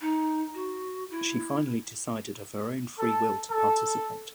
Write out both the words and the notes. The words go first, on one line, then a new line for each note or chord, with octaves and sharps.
She finally decided of her own free will to participate.
D#4
F#4
E4
A4
A4